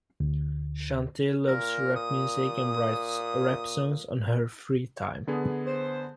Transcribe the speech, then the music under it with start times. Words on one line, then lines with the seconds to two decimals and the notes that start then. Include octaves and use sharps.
Shanti loves rap music and writes rap songs in her free time.
0.20 D2
1.48 A#2 A#4
1.96 D#6
5.27 D3 B3 G#4
5.67 C5